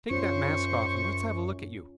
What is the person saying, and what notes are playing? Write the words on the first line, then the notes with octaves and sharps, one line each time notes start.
"Take that mask off and let's have a look at you."
F#2 C#4 F4 C5 C#6